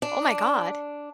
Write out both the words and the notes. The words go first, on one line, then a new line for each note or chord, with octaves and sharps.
Oh, my god.
D4